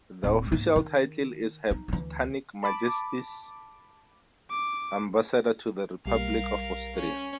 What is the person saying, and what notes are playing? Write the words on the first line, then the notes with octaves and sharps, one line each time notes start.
The official title is Her Britannic Majesty's Ambassador to the Republic of Austria.
D1
G#2 A#3
D#3
D#4
D2 E3
A5 B5 D6
D6
B1 G3 A#4 F5
C#4